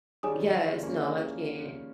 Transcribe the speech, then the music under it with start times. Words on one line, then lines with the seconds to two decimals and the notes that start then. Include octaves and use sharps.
Yes, no, I can't.
0.23 D#3 G3 G#4 C#5 G#5 D#6
0.43 F3 G#3
0.83 A#3 C#4
1.03 G#4 C#5 G#5 D#6